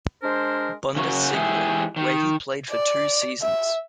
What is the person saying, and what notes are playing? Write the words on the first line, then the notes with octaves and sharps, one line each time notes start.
Bundesliga, where he played for two seasons.
G#3 D4 A#4 C5
C#3 C#4 F#4 A#4
E3 G#3 E4 G4 G#4
D#3
D5
E5